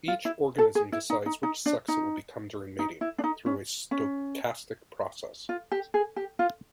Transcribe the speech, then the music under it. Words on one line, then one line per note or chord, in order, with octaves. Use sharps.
Each organism "decides" which sex it will become during mating, through a stochastic process.
F4
E4
A4
G#4
E4
D#4
D#4
D#4
D4
D#4
D#4
E4
D4
D#4
C#4
C#4
F4
G4
G#4
G4
F4